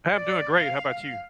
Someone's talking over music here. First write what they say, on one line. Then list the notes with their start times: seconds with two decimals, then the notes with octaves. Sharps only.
I'm doing great. How 'bout you?
0.14 D5
0.58 F5